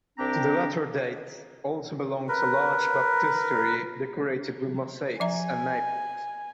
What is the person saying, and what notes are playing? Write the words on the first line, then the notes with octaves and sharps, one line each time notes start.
To the latter date also belongs a large baptistery decorated with mosaics at Naples.
C2 C4 D4 G4 A#5
A#4 B4
F3 E5 G#5 A#5